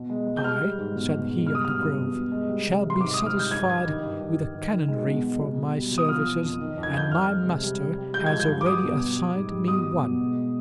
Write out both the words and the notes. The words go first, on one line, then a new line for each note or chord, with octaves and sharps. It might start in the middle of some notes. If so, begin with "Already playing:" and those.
"I," said he of the Grove, "shall be satisfied with a canonry for my services, and my master has already assigned me one."
Already playing: B2
G#3
G#3
G6
G3 F6
G3
G#2
B2
B2
G#3
G3 F6
D#6
G2 F6
G2
B2
B2
G#3
G3
C3
C3
C6
G#2 D6
D#6
G#2
F6
G3 G6
G2 G#6
G2 G#6
D#3
G2
G2
G2
D#3
D#3
G#3
B2
G#3
B2
B2
G3
B2
D#6
F3 F6
F3
F2
D#3
F2
G#6
F2 G6
F2 F6
G#3
C3
G3
G3
G3
G#3 G6
G#6
F3
G6
G2
D6
G3 D#6
B2
G3
G3
G#2
G3
B2 D#6
B2
B2
G#3